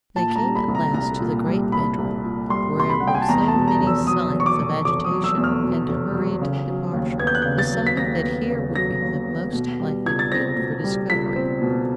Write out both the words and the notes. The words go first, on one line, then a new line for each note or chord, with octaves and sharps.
They came at last to the great bedroom where were so many signs of agitation and hurried departure, deciding that here would be the most likely field for discovery.
A#2 A5
A#5
G3
B5
C2
A#5
C2 A#5
A#2
G3
C2 B5
C2
A#2
G3 C6
C2 C6
B5
C2 F#5
G5
G#5
A5
E2 A#5
A5
B2
A#5
F1
E6
F#3 D#6
E2
C#6
D6
B2
F1 D6
D#6
F#3
E6
E2
F6
B2
F1
F#3
C#3
F#3
D#2
B3 G#6
G6
F#6
C#3 G6
A6
F#3
B6
D#2 A#6
B3
C#3
F#3 A#6
D#2
B3
B2
G3
C#2 G#6
A6
C4 A#6
B2
G3
C#2 B6
C4
B2